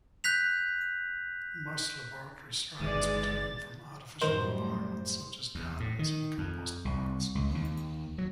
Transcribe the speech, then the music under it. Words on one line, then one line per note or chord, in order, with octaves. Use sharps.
Most laboratory strains were taken from artificial environments such as gardens and compost piles.
F#6 G6 B6 F7
G1 D#3 E3 G#3 G#4 D5 A6
F#2 A2 D#3 G3 A#4 C5 D#5
E2
A2
D#3
F2
C2
C#2
D#2
F#3